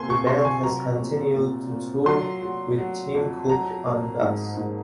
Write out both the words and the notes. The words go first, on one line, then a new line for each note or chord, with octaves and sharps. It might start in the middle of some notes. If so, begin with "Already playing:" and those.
The band has continued to tour with Tim Cook on bass.
Already playing: C3 A#3 G#5 C6
C#6
C3 C6
G#5
F#3 A#5
A#2
A#2
A#2
F#3 C6
F#3
F#3
F2
F#3 A#5
A#3
G#2
G#2